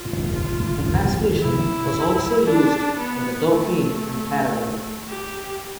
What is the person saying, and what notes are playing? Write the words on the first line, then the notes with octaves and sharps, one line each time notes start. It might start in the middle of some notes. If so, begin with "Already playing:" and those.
The transmission was also used in the Dauphine and the Caravelle.
Already playing: F4
E4
D4
B3
A3
G4